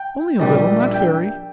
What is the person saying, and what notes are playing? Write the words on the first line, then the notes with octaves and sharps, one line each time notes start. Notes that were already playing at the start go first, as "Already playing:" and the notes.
"Only a little--not very."
Already playing: G5
A#1 A#2 G3
E5
G5